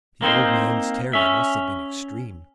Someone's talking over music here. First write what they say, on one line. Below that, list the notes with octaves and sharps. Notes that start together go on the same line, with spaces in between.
The old man's terror must have been extreme!
A#3 C4 D#4 C5
C#4 E5